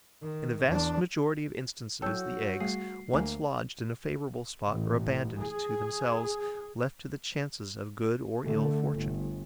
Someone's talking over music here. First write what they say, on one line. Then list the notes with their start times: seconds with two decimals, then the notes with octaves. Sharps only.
In the vast majority of instances, the eggs, once lodged in a favourable spot, are abandoned to themselves, left to the chances of good or ill fortune.
0.22 D#3
0.67 E2 D4
2.02 F#3 E4 F#4 A4 C#5 G5 E6 G6
2.60 G3 A3 G#4 C7
3.14 D2 A3 A#3 G#5
4.68 A1
5.40 G#4
8.45 D3 A3
8.96 G1